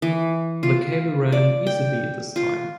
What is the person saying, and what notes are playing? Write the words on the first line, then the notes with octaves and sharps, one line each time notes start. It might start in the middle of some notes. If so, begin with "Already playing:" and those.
The cable ran easily this time.
E3
F4
D5
G5
F4